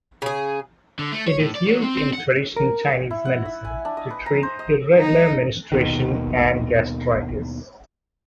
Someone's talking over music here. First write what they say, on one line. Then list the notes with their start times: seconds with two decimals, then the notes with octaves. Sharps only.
It is used in traditional Chinese medicine to treat irregular menstruation and gastritis.
0.22 C#3 G#4
0.99 D3
1.12 A3
1.28 C#5
1.40 A2
1.55 D5
1.67 F#3
1.82 C4
1.97 C4
2.13 F#5
2.56 A#4
3.11 E4
3.25 F#5
3.45 E5
3.65 G#5
3.85 D4
3.97 D#5
4.10 B4
4.26 A#5
4.43 C5
4.59 D#5
5.00 D#4
5.72 D#2 B2 D#3